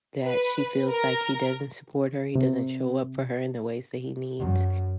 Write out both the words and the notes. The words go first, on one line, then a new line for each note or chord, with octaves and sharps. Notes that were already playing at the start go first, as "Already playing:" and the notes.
that she feels like he doesn't support her, he doesn't show up for her in the ways that he needs
B4
A#4
C3
F#2